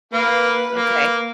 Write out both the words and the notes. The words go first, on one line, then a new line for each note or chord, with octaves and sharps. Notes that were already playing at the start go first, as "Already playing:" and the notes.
Y Okay.
A#3 B4
A#3